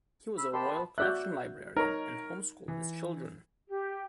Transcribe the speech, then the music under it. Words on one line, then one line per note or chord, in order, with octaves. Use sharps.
He was a Royal Collection librarian and homeschooled his children.
B5 E6
A#3 G4 D#5 A5 B5 C6
B3
F#4 D5 E5 F#6 G6
D#4 A#4 C#5 A#5
E3
G4